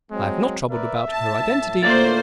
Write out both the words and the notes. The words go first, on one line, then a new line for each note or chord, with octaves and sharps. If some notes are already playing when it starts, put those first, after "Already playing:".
I have not troubled about her identity.
F#3 G#3 C4
A#4 B4 D5 E5
A2 A5
A2 D3 A3 A#3 F4 C5 D5